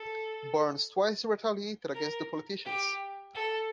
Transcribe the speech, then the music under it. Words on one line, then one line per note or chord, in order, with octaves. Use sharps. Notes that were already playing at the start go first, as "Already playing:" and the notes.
Burns twice retaliated against the politicians.
Already playing: A4
A#4
G4
A4